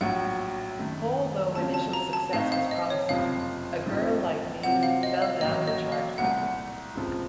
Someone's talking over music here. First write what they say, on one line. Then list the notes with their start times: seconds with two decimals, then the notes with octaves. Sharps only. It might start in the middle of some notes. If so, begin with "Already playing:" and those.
Although initial success was promising, "A Girl Like Me" fell down the chart quickly.
0.01 A#1 A2 F#3 A#3 F#5
0.78 F#1 F#2 D#3 A3
1.55 C#3 F#3 A3 C4 F4 A5
1.74 A5
1.93 A#5
2.13 A5
2.32 A2 A3 C4 D#4 F5
2.52 F5
2.71 D#5
2.90 C#5
3.09 F#1 F2 C3 F3 F5
3.87 A#1 A2 F3 C4 D#4
4.63 C3 F#3 C4 F4 F#5
4.83 F5
5.03 D#5
5.22 F5
5.41 A1 A2 F#3 A#3 D#5
5.67 D#5
5.92 F5
6.18 C2 A#2 A3 F#5
6.95 C#2 C3 F3